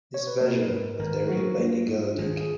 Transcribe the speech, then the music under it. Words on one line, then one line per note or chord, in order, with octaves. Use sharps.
This version was directed by Nigel Dick.
C#5
B4
A#3 A#4
G#2 B4
G#1 A#4
F#3 F#4
A#3 F4
G#2
G#1 G#4
G#4